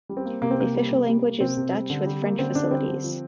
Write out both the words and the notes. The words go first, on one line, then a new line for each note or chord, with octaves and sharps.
The official language is Dutch with French facilities.
G3
C4
A#3
C3 A#3
C4
C3 A#3
G3
C3
G3
A#3
C3 C4
C3
G3
D3
G3
A#3
D3 C4
D3 D4
G3 C4
D3
F3